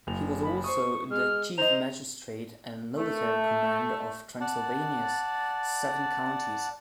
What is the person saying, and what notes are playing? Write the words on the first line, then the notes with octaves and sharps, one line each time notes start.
He was also the chief magistrate and military commander of Transylvania's seven counties.
F#1 F7
B5
C5 C#6 D#6
G#3 F6
C5 D#5 A#5 F7
A3
D5 F#5 A5